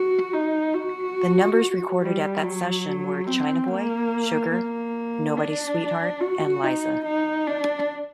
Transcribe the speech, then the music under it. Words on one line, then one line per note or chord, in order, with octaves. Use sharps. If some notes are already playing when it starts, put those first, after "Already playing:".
The numbers recorded at that session were "China Boy", "Sugar", "Nobody's Sweetheart", and "Liza".
Already playing: F#4
D#4
F#4
G3
F#3
C4
A#3
A#3
D4
F#4
D#4
D#4
D4